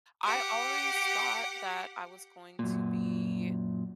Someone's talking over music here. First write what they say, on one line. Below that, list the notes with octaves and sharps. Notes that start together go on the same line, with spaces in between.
I always thought that I was going to be,
G4 F#5
F#2 A#2